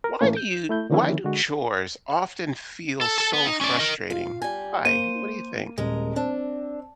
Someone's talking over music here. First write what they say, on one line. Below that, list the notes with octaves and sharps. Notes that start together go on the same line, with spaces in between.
why do you why do chores often feel so frustrating? Why? What do you think?
A#4
A2 E3 A3 A#3 C#4
G6
A3 E4 G6
D3 D#3 F3 A#3 C#4 E4
D3 G#3 F#4
A4
A4 A5
B3
D#4
C#4 D5
A#4 D#5
F4 F5
G3 G#5
A#3 C5 D#7
D#1 G#3 A#4
C4 D4